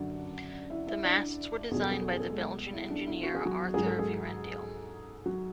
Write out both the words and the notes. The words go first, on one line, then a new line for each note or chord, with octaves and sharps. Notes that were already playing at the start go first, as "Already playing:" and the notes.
The masts were designed by the Belgian engineer Arthur Vierendeel.
Already playing: F#2 D3 F#3 D4 D5
E4 E5
E4 E5
D4 D5
E2 B2 F#3 G#4
A4
G#4
A4
G#4
A4
G#3 G#4
E4
D4
E4
F#4
G#4
F#3 F#4
G#2 F#3 G#4
A4
G#3 G#4
F#3 F#4